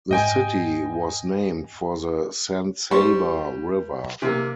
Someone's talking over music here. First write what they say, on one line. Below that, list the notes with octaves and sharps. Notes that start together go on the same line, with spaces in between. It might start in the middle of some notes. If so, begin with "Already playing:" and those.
The city was named for the San Saba River.
G#2 D#5 G5 G#5
G3 C5 C#6
C3 A#3